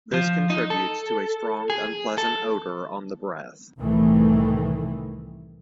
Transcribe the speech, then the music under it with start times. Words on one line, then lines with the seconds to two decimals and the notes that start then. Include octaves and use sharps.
This contributes to a strong unpleasant odour on the breath.
0.14 F3
0.50 D#4
0.70 A4
1.70 G#4
2.18 A4
3.78 C2 A2 D#3 E3 A3